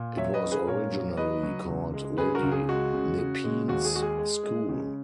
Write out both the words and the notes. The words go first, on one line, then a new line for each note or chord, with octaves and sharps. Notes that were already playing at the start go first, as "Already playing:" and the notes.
It was originally called Lady Nepean's School.
Already playing: A#2
F#3 C#5 E5
B4 D#5
C#4
G#4 B4
A#2 A#4 C#5
F#3
F#3 B4 D#5
F#3
C#2
G#3
C#3 G#4 B4
F#4 A#4
C#2
G#4
G#3 F#4
C#3
C#3
G#3
D#2 F#4
G#4
G#3 F#4
G#4
G#3
G#3
C#3